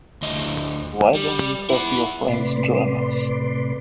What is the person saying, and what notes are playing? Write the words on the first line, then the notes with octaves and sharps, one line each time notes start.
Why don't you have your friends join us?
D2 D#5
G3
E4 F#5
A2 C3 B4 D5 C6